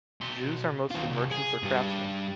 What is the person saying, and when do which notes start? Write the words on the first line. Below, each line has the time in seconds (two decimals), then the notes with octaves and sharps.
Jews are mostly merchants or craftsmen.
0.21 B2 C6
0.91 D#2 F4
1.10 C2
1.31 G#4
1.62 G2 G3